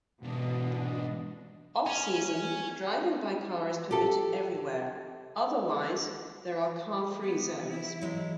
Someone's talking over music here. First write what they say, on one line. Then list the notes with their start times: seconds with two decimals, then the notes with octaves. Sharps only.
Off-season, driving by car is permitted everywhere, otherwise there are car-free zones.
0.23 G#2 B2 E3 D4 D#5
1.87 C#4
3.91 G4 A4
7.21 B3
7.68 E3 E4
8.01 F#3 G#3